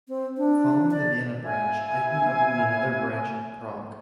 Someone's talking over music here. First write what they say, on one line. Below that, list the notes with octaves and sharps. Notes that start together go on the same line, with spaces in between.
Following the Vienna branch, Eichmann opened another branch in Prague.
C4
D4
D5
E4 F5 G#5